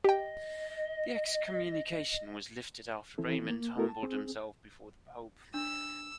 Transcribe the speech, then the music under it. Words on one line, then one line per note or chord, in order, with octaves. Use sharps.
The excommunication was lifted after Raymond humbled himself before the Pope.
G4 D#5 G5
E3 C4 E4 A4
A#3
A3 B3 E4 F#4 A4 A#4
A5
C4 G#4
D4 E6